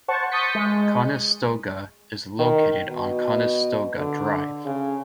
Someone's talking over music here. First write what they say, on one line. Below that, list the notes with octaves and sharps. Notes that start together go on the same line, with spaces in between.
Conestoga is located on Conestoga Drive.
C5 F#5 A5 C#6
C#6 D#6 G6 A6 B6 C#7
G#3
D#3
B2
D3
C#3